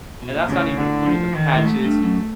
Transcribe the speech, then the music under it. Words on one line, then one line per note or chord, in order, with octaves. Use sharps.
And that's not even including the patches
B2
A#2
A2 C#3
D3
F3
D#3
A2
G#2 A3
G2
F#2